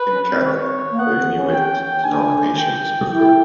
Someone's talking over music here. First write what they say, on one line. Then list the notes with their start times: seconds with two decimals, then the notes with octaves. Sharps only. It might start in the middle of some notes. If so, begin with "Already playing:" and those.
In Canada, the “Inuit” denomination is preferred.
Already playing: B4
0.11 C#4
0.28 C4
0.46 C#5
0.90 A#3
0.98 B3 F#5
1.16 C4
1.33 C#4
1.52 G5
2.04 D4 G#5
2.57 G5
3.10 E4 G5